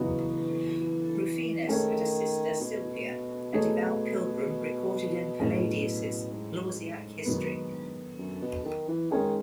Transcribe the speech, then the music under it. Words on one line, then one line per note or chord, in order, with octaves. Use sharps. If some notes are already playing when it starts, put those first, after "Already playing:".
Rufinus had a sister, Silvia, a devout pilgrim recorded in Palladius' "Lausiac History".
Already playing: C#3 E3 F#3 B3 D#4 F#4
D#3 A3 C#4 G#4 C#5
B2
A3 D#4 G#4 C#5
A2 F#3 C#4 G#4
G#2
D#3 F#3 B3
F#2
B2
D#3
E3
D#3 G#3 C#4 G#4 C#5